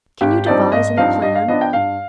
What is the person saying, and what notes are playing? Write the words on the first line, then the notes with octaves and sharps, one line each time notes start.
Can you devise any plan?
G#1 G4
G2 F3 C4 D#4 D5
G#1 D#5
G2 F3 C4 D#4 F5
G2 D#5
F5
F3 B3 D4 D#5
G5
G2 F5